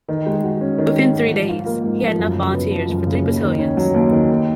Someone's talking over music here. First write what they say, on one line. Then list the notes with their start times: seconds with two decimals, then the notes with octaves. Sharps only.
Within three days, he had enough volunteers for three battalions.
0.08 D#3
0.26 G#3
0.44 F#4
0.61 C#4
0.78 D#3
0.96 G#3
1.13 G#2
1.31 F3
1.49 F4
1.66 A#3
1.84 G#2
2.02 F3
2.19 F#2
2.37 C#3
2.54 B3
2.72 F3
2.89 F#2
3.07 C#3
3.24 D#2
3.42 D#3
3.59 C#4
3.77 F#3
3.94 D#2
4.12 D#3
4.30 D#2